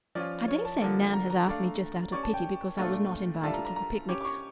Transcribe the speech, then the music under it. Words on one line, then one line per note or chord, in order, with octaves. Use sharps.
I dare say Nan has asked me just out of pity because I was not invited to the picnic.
F3 C#4 F4 D5
C#5
A5
D3 F3 A#3 D4 A4
A#5
A#5
A3 D4 A4 D5 F5
C#4 G4 D5 C#6
A5
G5
A#2 A3 D4 F4 A4
G3 D4 F4 A4 E5 A5
A#5
A#5
A#5
C#4 G4 C#5 D6
D6
C#6